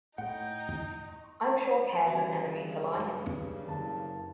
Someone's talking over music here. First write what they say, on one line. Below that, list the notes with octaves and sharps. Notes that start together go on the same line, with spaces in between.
I'm sure care's an enemy to life.
A2 D#4 F#5 G5
G2 C#3 B3 F#4
F#2 G4
F#1 A5